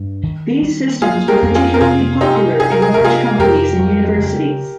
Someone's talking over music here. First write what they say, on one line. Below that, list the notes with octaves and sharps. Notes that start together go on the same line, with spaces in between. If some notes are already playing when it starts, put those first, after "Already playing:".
These systems were particularly popular in large companies and universities.
Already playing: G2
D#3
G3
A#3 F4 G#4
G4 A#4
F2
F4 G#4
A#4
C3 F4 G#4
C4 D#4 G4
C3 G#4
A#4
G#4
A#4
C3 F4 G#4
F2 G4 A#4
F2
C#3